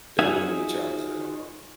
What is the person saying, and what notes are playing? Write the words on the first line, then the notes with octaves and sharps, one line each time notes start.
Don't wanna be challenged at all.
D#4 F4 F#4 G#4 E5 G#5